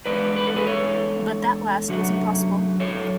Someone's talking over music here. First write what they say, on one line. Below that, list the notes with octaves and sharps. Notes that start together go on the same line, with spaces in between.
But that last was impossible.
E2 D3 G#3 B4 D5
B4
A4
G#4 B4
A4 C#5
F#2 D3 F#3 A3
A4 C#5